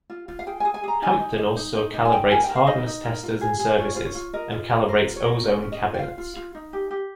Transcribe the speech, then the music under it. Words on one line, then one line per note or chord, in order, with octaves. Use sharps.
Hampden also calibrates hardness testers and services, and calibrates ozone cabinets.
F4
F4
F5
G#4 G5
G#4 G#5
G#5
G#4 A#5
D#4 G#5
D#4
D#4
D#4
D#4
D#4
G#5
D#4 G5
A#4 G#5
G5
A#4
F5
D#4 D#5
D#4
A#4
F4
G#4
G#4
F4 C#5
F4 C5
C#5
F4
A#4 D#5
F4
A#4
A#4 C5
F4
C#5
A#4
C#4 C#5
C#4
D#5
F4
G5
F4 F5
F4
F4
D#4
G4
G4